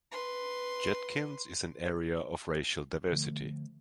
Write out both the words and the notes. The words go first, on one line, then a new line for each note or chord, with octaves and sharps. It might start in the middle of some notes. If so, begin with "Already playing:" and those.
Judkins is an area of racial diversity.
B4 C6
D3 F3 A3